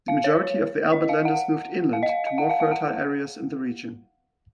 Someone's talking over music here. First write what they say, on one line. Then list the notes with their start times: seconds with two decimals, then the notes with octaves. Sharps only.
The majority of the Albertlanders moved inland, to more fertile areas in the region.
0.08 F5
0.24 C#5
0.92 D#5
1.09 F5
1.25 F#5
1.93 F5
2.03 D#5
2.09 F5
2.27 F5
2.38 F#5
2.49 F5
2.60 F5
2.71 F#5